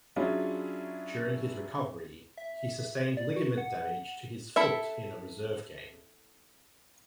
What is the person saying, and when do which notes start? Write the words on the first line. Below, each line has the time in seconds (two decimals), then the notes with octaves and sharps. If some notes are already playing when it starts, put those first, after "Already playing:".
During his recovery, he sustained ligament damage to his foot in a reserve game.
0.16 F#3 C#4 D4 E4 F4 G#4
2.37 E5
3.17 D5
3.36 F#4
3.57 F#5
4.56 E4 A4 E5